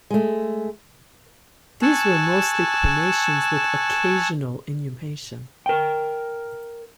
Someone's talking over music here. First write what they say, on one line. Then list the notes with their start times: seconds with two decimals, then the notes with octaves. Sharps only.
These were mostly cremations, with occasional inhumation.
0.10 G#3 A3
1.82 G#5 A5 C#6 E6 F#6
5.66 A#4 G5